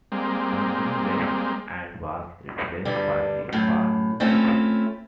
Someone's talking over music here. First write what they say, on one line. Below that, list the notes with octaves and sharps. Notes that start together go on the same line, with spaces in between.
Ansley left and was replaced by Pat Calpin.
G3 G#3 A#3 C4
G2 D3 G3
F#2 A2
A3 C4 C#4 E4 F4